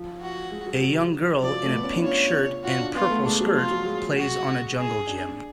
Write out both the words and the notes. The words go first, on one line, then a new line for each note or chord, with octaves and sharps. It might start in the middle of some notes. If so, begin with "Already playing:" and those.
A young girl in a pink shirt and purple skirt plays on a jungle gym.
Already playing: F3
F#4
G#3
F#3
F#3
F3 D5
F#3
A3
B3
C#4
D4
F4 C#5
F4 F#4
D4
B3 F4
A3
G#3 D4
F#3
F3 F4
F#3
G#3
F#4
G#4
D4